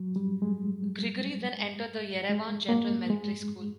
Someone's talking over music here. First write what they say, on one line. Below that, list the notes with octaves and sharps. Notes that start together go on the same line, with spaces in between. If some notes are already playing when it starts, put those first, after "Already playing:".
Grigory then entered the Yerevan General Military School.
Already playing: F#3
G3
G#3
G#3
A#3
G#3